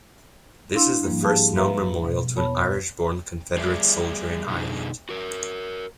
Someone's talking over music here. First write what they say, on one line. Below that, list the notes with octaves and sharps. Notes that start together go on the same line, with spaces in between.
This is the first known memorial to an Irish-born Confederate soldier in Ireland.
D4 E4 F5 C6 E6
G#2 F3 G3 A#3
G4 G#4 F5 A5
B4 E5 F5 A#5
B2
E2 B3 C#5 A5 B5
G3 G#4 D5 E5
B2 D3 G3 D#4 G#4
F#4 A#4